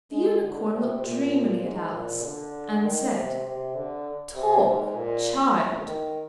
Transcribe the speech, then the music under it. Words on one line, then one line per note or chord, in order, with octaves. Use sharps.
The Unicorn looked dreamily at Alice, and said 'Talk, child.'
G#3
D3
C3
A#2
G#2
A#2
D3
D#3
C3
C3
D3
C3
G#2
A#2
D#3